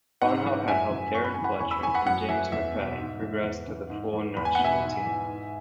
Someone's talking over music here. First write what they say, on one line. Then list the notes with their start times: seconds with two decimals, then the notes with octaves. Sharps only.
Bonhof had helped Darren Fletcher and James McFadden progress to the full national team.
0.22 G#2 F#5
0.45 E3
0.68 F#2 E5 G#5
0.91 C#3 E3
1.15 F#2 C#6
1.24 B5
1.34 C#3 G#5
1.41 E3 F#5 B5
1.60 E2 G#5 C#6
1.71 B5 E6
1.82 C#3 E3 G#5 C#6
1.95 F#5 B5
2.06 F#2 F#5
2.29 E3 E5 G#5
2.52 E2 E5
2.74 B2
2.98 G#2
3.22 E3
3.44 E2
3.67 C#3 E3
3.90 G#2
4.13 E3
4.37 E2 B5
4.45 G#5
4.55 B2 F#5
4.64 E5 G#5
4.82 G#2
5.05 E3
5.28 G#2